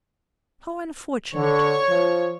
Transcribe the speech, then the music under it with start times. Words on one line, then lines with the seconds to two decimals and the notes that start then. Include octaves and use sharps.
How unfortunate!
1.35 D3 C#5
1.89 F3